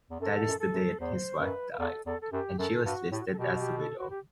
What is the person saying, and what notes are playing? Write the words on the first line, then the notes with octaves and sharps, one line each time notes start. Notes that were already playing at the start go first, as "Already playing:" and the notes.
That is the date his wife died, and she was listed as a widow.
E2
F#2 A4
F#2
A4
F#2
E2 C5
F#2 B4
B4
E2 A4
E2 A4
A4
F#2 G4
F#2 A4
G2 F#4
A2 G4
F#4
G4
A4
B2 G4
G4
A4
F#4
G4